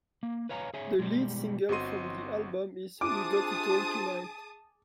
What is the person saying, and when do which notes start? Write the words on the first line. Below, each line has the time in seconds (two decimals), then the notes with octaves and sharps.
The lead single from the album is "We Got It All Tonight".
0.23 A#3
0.49 B4 C#5 F5 G#5 A#5
0.74 G#4 C#5 E5 G#5
0.99 B2 G3 G#3
1.69 G1 C4 F#4 D#5 C6 D#7
3.01 C3 D4 F4 G#4 A5 D6 D#6